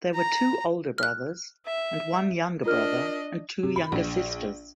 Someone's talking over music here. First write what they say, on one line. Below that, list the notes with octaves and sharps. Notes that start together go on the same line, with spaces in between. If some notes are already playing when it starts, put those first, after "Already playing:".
There were two older brothers and one younger brother and two younger sisters.
A#5
F6 F#6
E5
D4 F4 A#4 D#5 F6
C3
B5
A#1